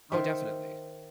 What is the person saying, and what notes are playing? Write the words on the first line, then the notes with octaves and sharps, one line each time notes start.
Oh, definitely.
D#3 C5 E5